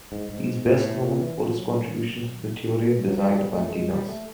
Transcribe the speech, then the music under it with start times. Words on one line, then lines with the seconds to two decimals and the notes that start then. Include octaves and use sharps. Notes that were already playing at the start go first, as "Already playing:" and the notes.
He is best known for his contributions to the theory and design of antennas.
0.12 G#2
0.29 G#2
0.66 A2
1.02 A#2
1.20 E3
1.38 F3
1.56 F#3
3.08 F#3
3.18 G3
3.30 F#3
3.36 G3
3.54 A3
3.72 G#3
3.90 G3
4.08 A3